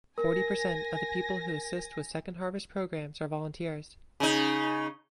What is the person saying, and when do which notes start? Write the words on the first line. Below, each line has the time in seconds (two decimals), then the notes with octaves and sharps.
Forty percent of the people who assist with Second Harvest programs are volunteers.
0.18 A#4 G#5 A#6
4.20 C#3 D#4